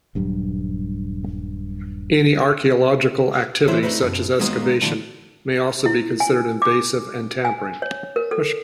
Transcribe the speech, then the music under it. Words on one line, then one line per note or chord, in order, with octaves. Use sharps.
Any archaeological activity, such as excavation, may also be considered invasive and tampering.
D#1 G2 F#3 G3
E3 E4 G#4 C5 C#5 E5
A3 C4 D#4 E4 B4
F#2 B2
D#3 F#3 G#3 A#3 B3 D#4
A#2 D3 E3 A3 B3
E4
G#5
D6
G#5
C#5
A#4
A4